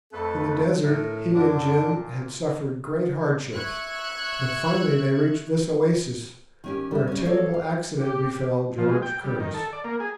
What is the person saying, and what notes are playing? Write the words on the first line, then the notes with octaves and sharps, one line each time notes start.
In the desert he and Jim had suffered great hardships, but finally they reached this oasis, where a terrible accident befell George Curtis.
F2 A3 A4 B4
A2 A#4
F#2 D3 D4
A#2
E5 C#6 F#6 G#6
D#3 C#4 G4
G3 E5
G3 C#4
A4 C#5 D5 F5
F5
G4
F3
G#3
G5
G3
D#3
A4
D5
A#3
G#4